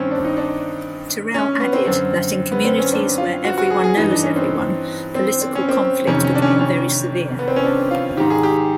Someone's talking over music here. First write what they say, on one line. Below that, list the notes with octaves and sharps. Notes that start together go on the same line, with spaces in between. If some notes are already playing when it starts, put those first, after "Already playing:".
Terrell added that in communities "where everyone knows everyone" political conflict became very severe.
Already playing: G2 D#3 C4 C#4
D4
D#4
D4
C#4
B3
C4
F#2 D3 C4
B3
C4
C#4
D4
F4
F#4
F#4
G#4
G#4
G2 E3 D#4
D4
C#4
C4
C4
C4
C#4
C4
F2 C3 D#3 C#4
C#4
D4
C#4
D4
C#4
B3
C4
C#4
D4
F4
G#2 D#3 G4
G#4
G4